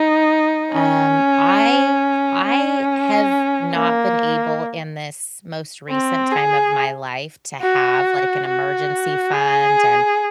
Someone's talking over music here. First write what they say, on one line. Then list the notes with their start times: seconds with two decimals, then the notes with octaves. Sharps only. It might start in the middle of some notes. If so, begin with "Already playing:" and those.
Um, I I have not been able in this most recent time of my life to have, like, an emergency fund and
Already playing: D#4
0.73 C#4
2.45 C#4
3.74 A#3
5.89 C4
6.32 G#4
7.61 F#4
8.48 F#4
9.33 G#4